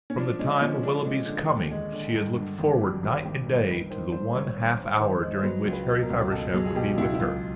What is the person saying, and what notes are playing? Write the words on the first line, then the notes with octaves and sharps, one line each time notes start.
From the time of Willoughby's coming she had looked forward night and day to the one half-hour during which Harry Feversham would be with her.
C#4
F3 D4
G#3 C#4
F3 C#4
D3 D4
G#3
D3
D#2
G#3
D3
G2
D3
G#1
G4
G3 F#4
G#1
G#1 G4
G2
D#3 B4
D#3 C5
G2 C5
G#1 C#5
G2 C#5
G2
D#3 C5
G#3
C5
F#3 B4
C#2
B4
B2
A#4
C#2
B2 A4
F#3 G#4
G#4
B2 G4
C#2 E4
E4
B1 F4